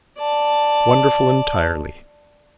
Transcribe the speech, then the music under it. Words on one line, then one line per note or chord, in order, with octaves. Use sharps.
Wonderful entirely.
D5 A5